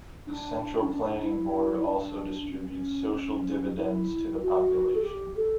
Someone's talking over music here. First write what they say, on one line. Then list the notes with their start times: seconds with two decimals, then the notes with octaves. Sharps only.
The central planning board also distributes social dividends to the population.
0.27 D4
0.82 C#4
0.91 D4
1.23 E4
1.86 D4
2.50 C#4
2.61 C#4
2.71 C#4
3.13 C#4
3.77 E4
4.41 F#4
4.95 A4
5.04 G4
5.36 A4